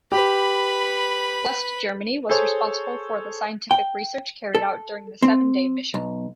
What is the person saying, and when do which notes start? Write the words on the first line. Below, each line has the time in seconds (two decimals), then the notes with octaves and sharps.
West Germany was responsible for the scientific research carried out during the seven-day mission.
0.12 G4 B4 B5
2.29 G#4 A4 C5 C#5
3.71 G5
4.55 A4
5.22 C4
5.94 B1